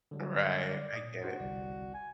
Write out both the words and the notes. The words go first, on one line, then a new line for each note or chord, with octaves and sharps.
Right, I get it.
D3 F#3 G3
D5
A#2 D#6
D4 F#4 C5
G1 C2 D5
G#5